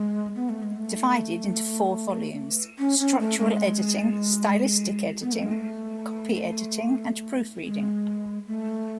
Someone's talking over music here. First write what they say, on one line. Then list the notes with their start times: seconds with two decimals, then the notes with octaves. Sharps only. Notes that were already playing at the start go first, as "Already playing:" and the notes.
Divided into four volumes: structural editing, stylistic editing, copy editing, and proofreading.
Already playing: G#3
0.35 B3
0.49 A3
0.63 G#3
0.77 A3
2.79 C#4
2.99 C#4
3.19 A3
3.39 G#3
5.22 B3
5.32 A3
5.43 G#3
5.52 A3
7.66 G#3
8.47 A3